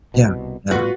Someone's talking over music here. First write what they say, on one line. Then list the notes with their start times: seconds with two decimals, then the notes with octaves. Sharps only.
Yeah, yeah.
0.14 C2 B2
0.71 A2 G3 B3 F4 F#4 B4